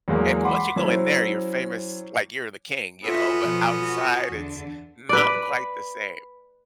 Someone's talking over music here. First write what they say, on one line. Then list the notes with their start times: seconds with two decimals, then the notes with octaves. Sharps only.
And once you go in there, you're famous like you're the king, you know? But outside, it's not quite the same.
0.08 E2 F#3 G#3 A#3
0.44 F#5 B5 C6 D6
0.76 F#3 C#4 E4 C5
3.04 B3 C#4 F4 F#4 A4 E5
3.43 B2 F3
3.80 F#4
4.30 E2 D3
5.09 B4 D5